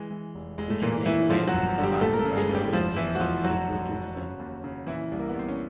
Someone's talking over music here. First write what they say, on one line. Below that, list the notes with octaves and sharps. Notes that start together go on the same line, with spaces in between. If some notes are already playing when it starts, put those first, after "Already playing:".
We can make rare things abundant by lowering the costs to produce them.
Already playing: E3 G#3
E3
F1
F1 G#3
A3
A#2 E3 A#3
D#2 E3 E4
D3 F3 F4
F#3 F#4
G1
D3
G3 G4
D#2 A3 A4
A#4
A3 A4
C#3
G#3 G#4
D#2
G3 G4
F1 F3 F4
E2 E3 E4
F#4
F1 F3 F4
F2 F#3 F#4
D3
F#3
C#3
D#2
C#3
A#2 E3 E4
C2
A#3
B3
C2 C4
C#4